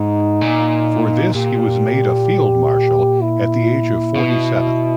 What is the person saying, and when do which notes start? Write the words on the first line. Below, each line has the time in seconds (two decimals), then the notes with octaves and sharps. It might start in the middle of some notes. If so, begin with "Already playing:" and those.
For this he was made a Field Marshal at the age of forty-seven.
Already playing: G#2 D#4
0.41 A#2
1.35 A#2 G4
3.22 E4
4.16 B2